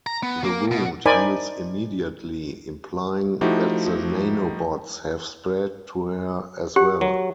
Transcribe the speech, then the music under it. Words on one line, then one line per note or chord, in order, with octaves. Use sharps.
The wound heals immediately, implying that the nanobots have spread to her as well.
A#5
B3
A#3
B2
D#4 A#4 C5 D5 G#5 B5
F3 A3 D#4 E4 F#4 G4
G4 F#5
F#3